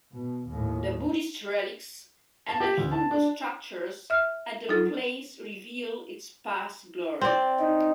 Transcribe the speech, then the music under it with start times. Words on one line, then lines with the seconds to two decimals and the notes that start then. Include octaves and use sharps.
The Buddhist relics and the Hindu structures at the place reveal its past glory.
0.12 B2
0.47 D#2 A2
2.48 A5
2.60 G4
2.78 D2
2.92 A5
3.11 D4
4.10 E5 F6
4.69 F#3 D#4 F4 A4
7.21 C4 D5
7.59 D#4